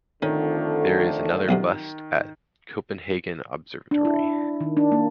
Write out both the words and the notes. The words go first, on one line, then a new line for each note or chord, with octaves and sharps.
There is another bust at Copenhagen Observatory.
F2 D3 D#3 A3 C#4
B1 F#2 C3
D4
E4
D#3
D4
A#3